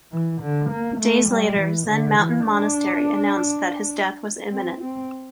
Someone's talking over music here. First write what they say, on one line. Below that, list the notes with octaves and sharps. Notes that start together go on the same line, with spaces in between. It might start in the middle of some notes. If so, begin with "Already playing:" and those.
Days later, Zen Mountain Monastery announced that his death was imminent.
E3
D3
A#3
A3
G3
E3
D3
E3
D4
C4
C4